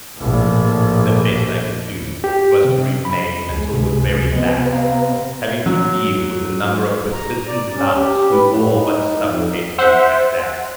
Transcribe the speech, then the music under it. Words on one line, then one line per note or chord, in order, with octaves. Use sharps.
The best I could do was to remain till the very last, having to deal with a number of persistent louts who all but suffocated me, at that.
A#1 A2
G4
C3
B5
C#2 G#3
C#2 C3
C3 B3 D#5
F5 A#5
F#3
A#5
D5
C#4
G4
B4
A2
D#4
F2
C5 E5 F#5